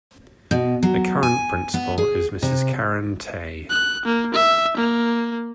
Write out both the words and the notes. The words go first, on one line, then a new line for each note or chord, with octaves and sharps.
The current principal is Mrs Karen Tay.
B2
F#3
G#5
B3
G#4
C3
F#6
A#3
E5
A#3